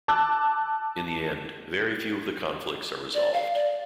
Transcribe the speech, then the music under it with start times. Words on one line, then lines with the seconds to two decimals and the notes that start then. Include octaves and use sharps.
In the end, very few of the conflicts are resolved.
0.08 A5 D6 E6 F#6
3.14 D5
3.34 F5
3.54 D5